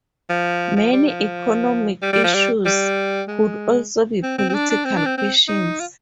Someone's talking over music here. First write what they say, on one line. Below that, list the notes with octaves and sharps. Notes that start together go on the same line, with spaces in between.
Many economic issues could also be political questions.
F3
F3
G3
F3
G3
G3
F3
G3
G3
G#3
C4
C4
C4
D4
D4
C4
D4
C4
C4
D#4
F4